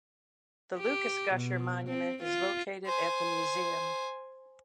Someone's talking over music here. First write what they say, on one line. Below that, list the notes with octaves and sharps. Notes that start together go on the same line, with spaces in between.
The Lucas Gusher Monument is located at the museum.
G4
B2
C4
F4
C5 G#5